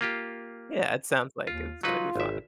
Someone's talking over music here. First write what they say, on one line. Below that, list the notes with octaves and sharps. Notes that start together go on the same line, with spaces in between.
Yeah, it sounds like it's gonna be fun.
A#3 F4 G4
D#2 F4
F#3 D#4 F4 B4
G#1 E5